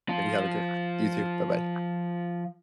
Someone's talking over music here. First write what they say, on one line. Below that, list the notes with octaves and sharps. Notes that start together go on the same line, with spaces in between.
And you have a good You too, bye-bye.
F3 F4